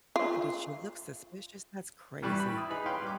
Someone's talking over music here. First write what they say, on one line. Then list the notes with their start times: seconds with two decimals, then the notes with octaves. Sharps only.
Did she look suspicious? That's crazy.
0.16 F4
2.22 G2 E3 G3 B5 C#6
2.40 B5
2.55 E4 D#6
2.70 D#4 G#4 B4 B5
2.86 B4 C#5 F5 G5 C6
3.02 G3 D6